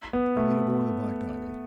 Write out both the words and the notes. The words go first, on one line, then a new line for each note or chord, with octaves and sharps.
'Only aboard the Black Diamond.
B3
A3